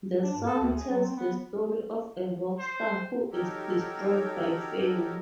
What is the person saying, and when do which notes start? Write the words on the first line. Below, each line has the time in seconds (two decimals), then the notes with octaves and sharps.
The song tells the story of a rock star who is destroyed by fame.
0.23 D4
0.35 G2
0.47 A4
0.60 D2
0.76 G#4
0.90 F#3
1.04 C4
1.16 B3
2.59 C5
3.32 F#3 D#4 G4 A4 A#4 C#5